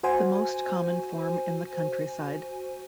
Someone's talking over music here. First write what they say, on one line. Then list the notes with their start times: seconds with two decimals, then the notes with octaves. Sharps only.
The most common form in the countryside.
0.03 F#4 C5 G#5